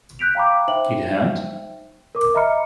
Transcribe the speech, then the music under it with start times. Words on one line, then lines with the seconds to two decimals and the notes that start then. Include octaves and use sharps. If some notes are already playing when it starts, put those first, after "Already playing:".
Need a hand?
0.19 F#6 G6 B6 D7 F7
0.35 F5 G5 A#5 B5 D6
0.68 D#4 C5 E5 G5 F#7
2.15 A#4 D6
2.35 D#5 E5 A#5 B5 F6 C#7